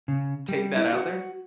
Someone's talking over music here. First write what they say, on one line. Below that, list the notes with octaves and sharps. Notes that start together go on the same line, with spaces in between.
Take that out there?
C#3
G3
E4
F#4